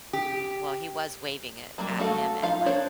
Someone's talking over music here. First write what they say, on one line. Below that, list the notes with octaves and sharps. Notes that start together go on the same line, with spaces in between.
well, he was waving it at him and my
G4
F#3 G3 A#3
A3 F#4 A4 F5
F3 D#4 F4 F5
D4 C5 C#5